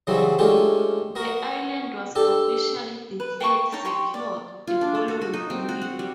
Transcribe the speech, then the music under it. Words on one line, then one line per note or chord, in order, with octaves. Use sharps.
The island was officially declared "secured" the following morning.
C#3 E3 F#3 G3 B3 C4
G#3 A3 C#4 D4 F4 G4
B3 F#4 A#4
D4 G4 A4
B4
G5 A5 C#6
D#4 C#5 G5 A5
G4 C6 C#6
D5
F4
D4
A4
F#4
F#4
D#4
C4
F#4
F#5
G3